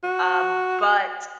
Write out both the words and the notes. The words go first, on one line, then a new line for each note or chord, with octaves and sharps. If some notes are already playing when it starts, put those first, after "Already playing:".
Um, but
F#4